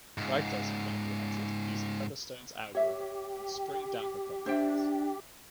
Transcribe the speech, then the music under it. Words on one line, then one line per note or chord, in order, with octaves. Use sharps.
Ragdolls have been implemented using Featherstone's algorithm and spring-damper contacts.
C#2 G#2
G4 C#5 E5
D4 C5 E5 G5